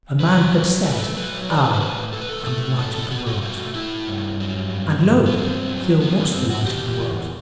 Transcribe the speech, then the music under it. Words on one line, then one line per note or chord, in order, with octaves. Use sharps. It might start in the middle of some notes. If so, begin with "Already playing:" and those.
A man had said, "I am the light of the world," and lo! here was the light of the world.
F#2 B4
F#3
A3 A4
B4
A4
F#3 B4
A2 D5
C5
B4
C5
A2 B4
A2 A4
B4
A4
A3 A4
B2 A4
A4
B2 F#4
A4
A3 F#4
A3 E4
G2
F#3
G2
G2
B3
G2 C4
F#3
D3 B3
B3
G2 C4
F#4
E2 G4
E2